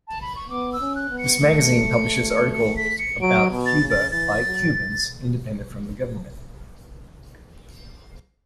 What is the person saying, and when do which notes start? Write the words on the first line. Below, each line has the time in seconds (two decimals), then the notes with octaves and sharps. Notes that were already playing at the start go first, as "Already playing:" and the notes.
This magazine publishes articles about Cuba by Cubans independent from the government.
0.08 A5
0.22 B5
0.36 C#6
0.49 B3 D6
0.73 E6
0.80 C#4
0.95 F#6
1.10 B3
1.18 C#7
1.40 A3
2.30 C#7
2.53 C#7
2.77 B6
2.99 C#7
3.21 F#3 D7
3.51 B2
3.66 A6
3.81 C#3
3.89 A6
4.11 E3 A6
4.41 F#3